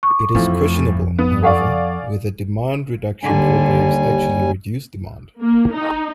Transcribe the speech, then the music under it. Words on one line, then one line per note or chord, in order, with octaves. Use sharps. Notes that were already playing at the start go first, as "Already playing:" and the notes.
It is questionable, however, whether demand reduction programs actually reduce demand.
C#6 D6
F2 A2 E3 F3
B3 D#6
A4 D5 F5 F#5 G#5 C#6
D#2 D3 G3 G#5
A#3
D#4